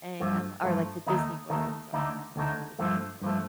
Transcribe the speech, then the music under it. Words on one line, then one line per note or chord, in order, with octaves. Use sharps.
and I'm li or, like, to Disney World, I'm sorry. Not Flori Florida.
G2 F3 A3
G2 F3 A3
D#2 D#3 A3 D#4
D#2 D#3 A3 D#4
D2 D3 A3 D#4
D2 D3 A3 D#4
G2 F3 A3
G2 F3 A3